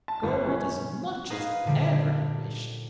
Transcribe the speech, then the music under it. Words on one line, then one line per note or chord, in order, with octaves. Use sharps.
Gold as much as ever he wished.
A5
G1
C#4
D#4 G#4 B4 C5 F5
A#2 D3 G3